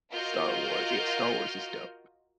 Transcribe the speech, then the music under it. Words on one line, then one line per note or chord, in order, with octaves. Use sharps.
Star Wars, yeah Star Wars is dope.
F4 F#4 A#4 D#5 F6 G6